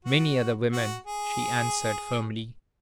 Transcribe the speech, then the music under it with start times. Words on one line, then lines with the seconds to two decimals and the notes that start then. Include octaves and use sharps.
"Many other women," she answered, firmly.
0.05 F#4
0.72 F#4
1.06 G#4